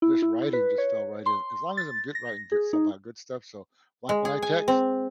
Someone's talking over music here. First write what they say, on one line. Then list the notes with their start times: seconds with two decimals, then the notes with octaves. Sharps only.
this writing just fell right in. As long as I'm good writing good stuff about good stuff, so, like, when I text,
0.02 E4
0.22 E4
0.53 B4
0.78 C#5
1.26 C6
1.77 A6
2.15 A#6
2.52 G#4
2.73 D#4
4.09 G#3
4.25 G#4
4.42 G#5
4.68 C4